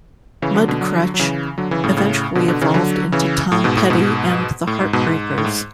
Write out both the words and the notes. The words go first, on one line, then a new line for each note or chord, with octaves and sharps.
Mudcrutch eventually evolved into Tom Petty and the Heartbreakers.
C#3 E3
D3 F#3
B2 D3
D3 F#3
F#3
C#3 E3
D3 F#3
C#3 E3
A2 C#3
A2 C#3
B2 D3
B2 D3
C#3 E3
D3 F#3
C#3 E3
A2
G#2 B2
A2
G#2 B2
A2
G#2
G#2 B2
G#2
A2
G#2